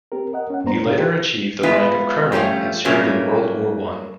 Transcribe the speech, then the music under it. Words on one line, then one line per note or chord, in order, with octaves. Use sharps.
He later achieved the rank of colonel and served in World War One.
C4 G4 A#4
A#4 D#5 F#5
C#4 F#5
G2 A#3 B3 D4 C5 A#5
G#2 C3 D4 F5
D#4 F4 G4 A4 A#4 C5
G#3 B3 E4 F4 B4
F3 G3 A3 C#4 F4
G2 C#3 F#3 A3 A#3 C#4